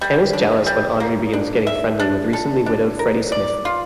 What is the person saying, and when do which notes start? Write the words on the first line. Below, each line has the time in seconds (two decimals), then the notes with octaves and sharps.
Ken is jealous when Audrey begins getting friendly with recently widowed Freddie Smith.
0.01 G3
0.33 D4
0.66 G3
1.00 A#3
1.33 D4
1.67 E5
2.00 D4
2.33 A4
2.66 D4
2.99 A#4
3.32 D5
3.65 F4